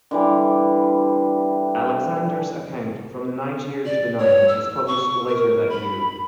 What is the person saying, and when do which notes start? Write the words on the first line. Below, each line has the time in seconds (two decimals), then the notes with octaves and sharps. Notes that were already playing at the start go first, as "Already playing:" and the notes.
Alexander's account "From The Niger To The Nile" was published later that year.
0.11 D3 E3 G3
3.86 D5
4.18 C#5
4.48 E6
4.87 C#6
5.28 A#4
5.69 B5